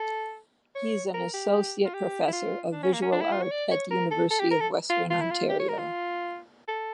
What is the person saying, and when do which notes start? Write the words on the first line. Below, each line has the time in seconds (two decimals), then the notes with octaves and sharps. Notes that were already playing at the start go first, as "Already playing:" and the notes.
He is an associate professor of visual art at the University of Western Ontario.
Already playing: A4
0.75 C#5
1.14 A#4
1.34 G4
1.85 F4
1.94 G4
2.28 E4
2.33 F4
2.72 D4
2.83 C#4
2.93 A#3
3.01 C#4
3.12 D4
3.21 E4
3.32 F4
3.42 C#5
3.51 D5
3.71 C#5
3.91 A#4
4.11 A4
4.30 A4
4.40 G4
4.51 A#4
4.60 A4
4.90 F4
5.10 F4
5.20 E4
5.31 F4
5.49 G4
5.59 C#5
5.69 A#4
5.78 F4
6.68 A4